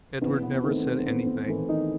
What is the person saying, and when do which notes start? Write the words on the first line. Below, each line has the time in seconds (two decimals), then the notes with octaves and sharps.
Edward never said anything.
0.21 E2 C4
0.42 B3
0.64 D#3 C4
0.67 A3
0.84 C4
1.05 E2 B3
1.27 C4
1.48 D#3 E3 A3 E4
1.69 D#3 D#4